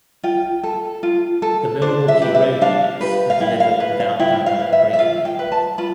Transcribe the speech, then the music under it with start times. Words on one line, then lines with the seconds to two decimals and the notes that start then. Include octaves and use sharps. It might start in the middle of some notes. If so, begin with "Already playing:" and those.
The Milwaukee Road units were delivered without Dynamic Braking.
0.24 F4 G5
0.63 A4
1.03 F4
1.42 A4
1.82 D4 C5
2.08 E5
2.22 G4 B4
2.35 E5
2.61 D4 F5
3.01 G4 B4
3.30 F5
3.40 E4 G5
3.60 F5
3.80 B4
4.00 F5
4.20 E4 G5
4.46 F5
4.60 B4
4.73 E5
4.93 E5
4.99 F4 F5
5.25 G5
5.39 B4
5.52 A5
5.78 F4 B5